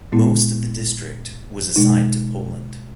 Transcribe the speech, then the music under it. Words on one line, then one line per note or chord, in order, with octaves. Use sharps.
Most of the district was assigned to Poland.
A#2 G#3 B3 E4
B2 G#3 D#4